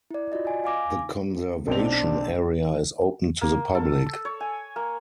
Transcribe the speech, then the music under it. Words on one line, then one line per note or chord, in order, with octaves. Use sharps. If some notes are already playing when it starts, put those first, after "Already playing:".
The conservation area is open to the public.
E4 D5
F4 F#4 D5 D#5
D#5 G#5
F5 G#5 D6 A#6
B1 C4 D4 F7
A#3
A4
C#5
G#5
A#3